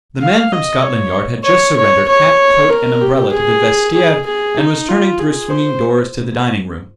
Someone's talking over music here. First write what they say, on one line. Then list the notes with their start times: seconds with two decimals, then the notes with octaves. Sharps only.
The man from Scotland Yard had just surrendered hat, coat, and umbrella to the vestiaire and was turning through swinging doors to the dining-room.
0.20 F5
0.52 D#5
0.83 C#5
1.44 C#5
1.77 C#5
2.08 C#5
2.70 A#4
3.01 G4
3.32 G#4
3.94 G#4
4.26 G#4
4.58 D#4
4.89 F4
5.19 G#4
5.50 C5